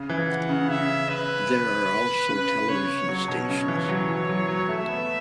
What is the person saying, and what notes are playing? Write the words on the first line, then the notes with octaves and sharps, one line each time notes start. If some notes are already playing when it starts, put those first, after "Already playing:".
There are also television stations.
Already playing: C#3
E3
F#5
C#3
C#3 E5
B4
C#3 B4
C#3 C#5
F#3 C#5
B2
C#3
E3
F#3
E3
F#3
F#3
A3 E5
B3